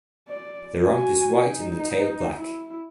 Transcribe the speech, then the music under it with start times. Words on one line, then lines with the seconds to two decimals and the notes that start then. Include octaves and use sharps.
The rump is white and the tail black.
0.29 D5
0.86 F#4 G#5
1.49 D#4
2.40 E4